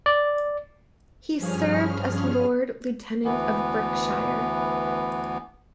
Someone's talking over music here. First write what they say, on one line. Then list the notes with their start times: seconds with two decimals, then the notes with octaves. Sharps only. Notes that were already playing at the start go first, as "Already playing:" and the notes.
He served as Lord Lieutenant of Berkshire.
0.06 D5
1.38 G2 F3 C#4 G#4 F6
3.25 D2 E3 B3